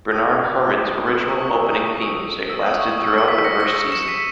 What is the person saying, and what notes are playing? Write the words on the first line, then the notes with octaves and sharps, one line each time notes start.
Bernard Herrmann's original opening theme music lasted throughout the first season.
D#6
E6
D#6
C#6
D#6
D#6
C#6
D#6
E6
D#6
C#6
C#6
D#6
E6
E6
B6
A#6 C#7
A#6 C#7
C#7 E7
C#7
B6 D#7